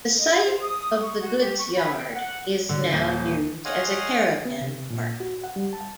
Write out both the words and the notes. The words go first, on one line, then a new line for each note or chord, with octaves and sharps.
The site of the goods yard is now used as a caravan park.
D#5
C5
D#6
C#6
F#4
G4
C#6
B4
G5
F#5
D3
D#1
G#4 C#5 D#5 F5 F#5 C6
B3
C3
A#2
F#4
F#5
G3
A5